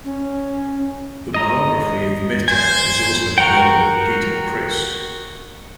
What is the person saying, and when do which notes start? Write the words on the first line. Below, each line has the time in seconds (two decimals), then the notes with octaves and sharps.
The biography of Mehta is also available at Geeta Press.
0.04 C#4
1.34 D#5 A#5
2.48 C5 G#5
3.38 F#4 A#4 F#5 G5